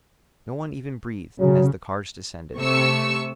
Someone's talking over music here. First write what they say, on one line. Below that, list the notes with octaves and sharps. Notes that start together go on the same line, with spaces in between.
No one even breathed as the cards descended.
C#3 F#3
C3 A3 C#6 E6 C#7